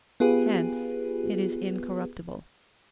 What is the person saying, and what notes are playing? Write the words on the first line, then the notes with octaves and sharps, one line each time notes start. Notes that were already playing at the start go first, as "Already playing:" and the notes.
Hence it is incorruptible.
B3 F4 G4 G#4 B4